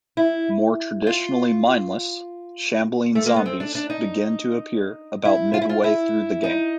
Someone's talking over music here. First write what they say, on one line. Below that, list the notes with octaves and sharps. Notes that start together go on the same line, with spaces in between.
More traditionally mindless, shambling zombies begin to appear about midway through the game.
E4
F4
A3
A#3
B3
C4
D4
D4
D#4
E4
F4
E4
F4
E4
D#4